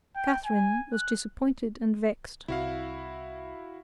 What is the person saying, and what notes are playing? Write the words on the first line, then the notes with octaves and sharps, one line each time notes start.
Catherine was disappointed and vexed.
G5
G#5
F#6
C2 E4 F#4 F5